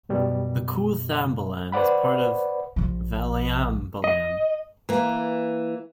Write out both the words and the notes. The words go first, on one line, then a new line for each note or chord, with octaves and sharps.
The koothambalam is part of Valiambalam.
F#2 B2 G3
B4 C5 D5 F#5 B5
A#1 F3
D#5
E3 A#3